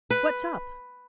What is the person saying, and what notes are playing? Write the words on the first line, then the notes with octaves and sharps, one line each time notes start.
What's up?
B4